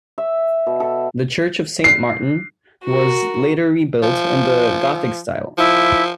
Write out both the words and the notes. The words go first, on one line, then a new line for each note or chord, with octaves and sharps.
The church of Saint Martin was later rebuilt in the gothic style.
E5
B2
A4
C7
F#4 A#4
F3
F3 E4